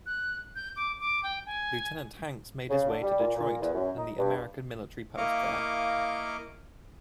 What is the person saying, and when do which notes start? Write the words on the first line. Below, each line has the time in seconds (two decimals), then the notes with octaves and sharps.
Lieutenant Hanks made his way to Detroit and the American military post there.
0.06 F#6
0.55 G6
0.76 D6
1.00 D6
1.23 G5
1.46 G#5
2.70 C#3
2.88 D3
3.02 G3
3.19 A#2
3.36 A#2
3.61 E2
3.73 F#2
3.97 D#4
4.18 G2
5.17 A#3 E4 D#5 F5 C#6 D6